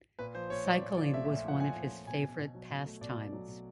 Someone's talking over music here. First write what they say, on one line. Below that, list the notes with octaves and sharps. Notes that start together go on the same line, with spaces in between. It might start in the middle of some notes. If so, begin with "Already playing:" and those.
Cycling was one of his favourite pastimes.
A#2 B4
F3 C5
A#2 C#5
A#2 D5
A#2
F3 D5
A3 E5
E5
A#2
E5
F3 F#5
A#2 G#5
A#2
F3
B2 G#5
B2
B2
F#3
B2
A3
B2 D5
B2
F#3
B2